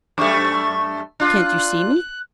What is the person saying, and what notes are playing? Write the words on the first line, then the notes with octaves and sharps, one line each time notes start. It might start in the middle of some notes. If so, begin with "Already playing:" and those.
"Can't you see me?"
F#2 G3 A3 C#6
D4 F4 F#6